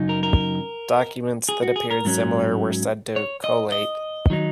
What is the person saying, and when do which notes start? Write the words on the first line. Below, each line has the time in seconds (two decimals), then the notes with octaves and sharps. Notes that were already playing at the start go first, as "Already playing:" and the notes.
Documents that appeared similar were said to "collate".
Already playing: F#2 C#3 F#3 D#4
0.09 A#4
0.23 A#4
1.49 G#4
1.63 F#4
1.76 G#4
1.91 A#4
2.05 G#2 F#3 C#4
3.16 C#5
3.44 D#5
3.72 D#5
4.30 D#3 F#3 D#4